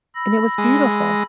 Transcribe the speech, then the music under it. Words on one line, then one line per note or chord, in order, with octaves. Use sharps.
and it was beautiful,
B5 E6 A#6
G#3